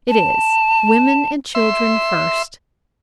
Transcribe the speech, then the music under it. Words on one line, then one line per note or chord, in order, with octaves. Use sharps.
It is, "Women and children first!"
A5
E5 C6